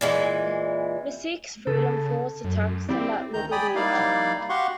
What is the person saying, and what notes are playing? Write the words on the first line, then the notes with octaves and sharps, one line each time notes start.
Mystique's Freedom Force attacks them at Liberty Island.
A#2 E3 G#3
C#3 A4
F#2
C4 E4 G4 D5
D2 D#3 A#5 G6
D5 G5 G#5 B5 D#6
G3 A#3 D#4 E4 D5 F5
F#4 G4 F5 F#5 C6 C#6